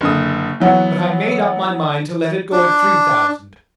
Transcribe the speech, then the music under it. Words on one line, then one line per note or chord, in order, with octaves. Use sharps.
But I made up my mind to let it go at three thousand.
F#1 D3 D#6
E3 F#3 B3 F#4
D4